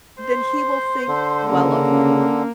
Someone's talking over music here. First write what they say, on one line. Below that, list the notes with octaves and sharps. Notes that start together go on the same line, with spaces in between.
then he will think well of you,
C5
D3
C#3 A#3 C#4